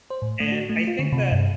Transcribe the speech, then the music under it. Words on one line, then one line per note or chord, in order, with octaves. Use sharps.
And I think that
C5
A2
A3
F#4
A3
F4
D3
C3
G2